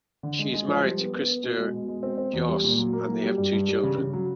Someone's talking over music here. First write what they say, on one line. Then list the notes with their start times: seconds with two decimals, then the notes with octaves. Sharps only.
She is married to Christer Kjos and they have two children.
0.23 D3
0.39 G#3
0.53 G#3
0.68 F3
0.83 G3
0.98 B3
1.14 B3
1.28 B3
1.44 B2
1.58 G#3
1.74 B2
1.88 G#3
2.03 C4
2.18 C4
2.33 E2
2.48 G3
2.64 A#2
2.78 F#3
2.93 A#3
3.08 F#3
3.23 G3
3.38 G2
3.53 G2
3.68 G3
3.83 C#3
3.98 C#3
4.13 F#3